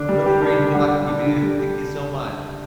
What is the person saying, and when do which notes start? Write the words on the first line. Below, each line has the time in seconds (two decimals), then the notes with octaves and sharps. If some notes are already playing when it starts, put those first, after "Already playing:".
Really great talking to you man, thank you so much.
Already playing: D3 D4
0.09 G3
0.26 G4
0.42 D4
0.59 D3
0.76 G3
0.92 G4
1.09 D4
1.26 D3
1.42 G3
1.59 G4